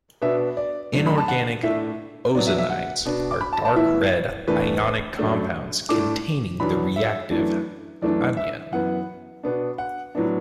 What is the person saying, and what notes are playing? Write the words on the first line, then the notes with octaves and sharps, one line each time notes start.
Inorganic ozonides are dark red ionic compounds containing the reactive anion.
B2 B3 D4 E5
D5
F#2 D3 A3 D4
B5
A5
F#5
A2 A3 D4 E5
B2 F#3 B3 D4 D5
E5
E5
F#5
B2 B3 D4
D6
B5
A5
A5
A2 E3 B3 E5
E2 E3 A3 D4 B4
F#2 F#3 A3 D4
A2 A3 D4 D6
E2 B2 F#3 D4 B5
E5
F#2 E3 A3 D4
F#2 E3 A3 D4 D5
E5
F#2 E3 B3 F#5
B2 B3 D4
F#5
A2 F#3 B3 D4